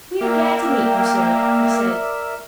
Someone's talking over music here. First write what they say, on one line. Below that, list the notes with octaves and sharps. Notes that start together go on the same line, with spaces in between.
"We are glad to meet you, sir," he said.
A#3 A#4 D5 E5 G5